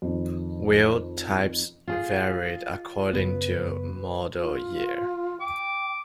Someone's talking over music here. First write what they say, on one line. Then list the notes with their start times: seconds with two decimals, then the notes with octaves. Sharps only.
Wheel types varied according to model year.
0.02 F2 D#3
1.88 F4 G#4
3.13 F#2 C#3 B3 B4
4.38 F4
5.41 G5 D6